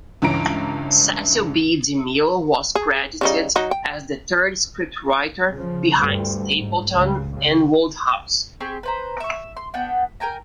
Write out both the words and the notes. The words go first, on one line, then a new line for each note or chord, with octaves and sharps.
Cecil B. DeMille was credited as the third scriptwriter, behind Stapleton and Wodehouse.
C#2 G2 E3 C#4 A#5 D7
G#4
C#3 G3 D#4
F#3 D#4
G5
C#3 F3
D2 G2
G#2
C#2 C#3
C#3
C4 G4 G#4 C#6
B4 C5 A#5
E5 C#6
C6
B3 D4 F#5 G5
A#4 G5 G#5 A#5